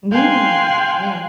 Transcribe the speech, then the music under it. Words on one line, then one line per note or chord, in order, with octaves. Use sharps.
Yeah, yeah.
F5 G5 G#5 C6 F#6